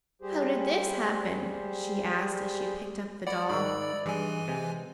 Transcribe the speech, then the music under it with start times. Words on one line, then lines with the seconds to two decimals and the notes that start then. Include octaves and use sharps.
"How did this happen?" she asked as she picked up the doll.
0.22 G3 G4 G#4 C5
3.27 D5 F#5 B5
3.50 G#2 D#3 B5 E6
3.81 D5
4.06 G2 E3 G#3 G#5
4.48 C3 G#3